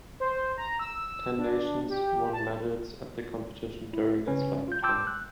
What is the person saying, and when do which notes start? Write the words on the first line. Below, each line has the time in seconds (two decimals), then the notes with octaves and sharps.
Ten nations won medals at the competition during its lifetime.
0.20 C5
0.57 A#5
0.79 E6
1.38 D4
1.89 G4
2.33 A5
3.93 E4
4.27 C#3 C#4 B4
4.68 F4 G6
4.83 G5 A5 C6 D6 E6 G6
5.07 F#6